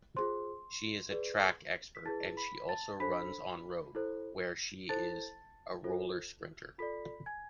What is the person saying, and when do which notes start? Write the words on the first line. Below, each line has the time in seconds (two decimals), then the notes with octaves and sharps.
She is a track expert, and she also runs on road, where she is a rouleur-sprinter.
0.16 F4 G#4 C5 C6
1.11 G#4 B4 D5
1.95 B6
2.05 E4 G#4 B4 A5 A6
2.37 B5 B6
2.69 A5 A6
3.00 D4 A4 C5 B5 B6
3.95 E4 A4 C5
4.89 E4 A4 C5 A5 A6
5.84 F4 A4 C5
6.78 F4 A4 D5 B5 B6
7.26 G#5 G#6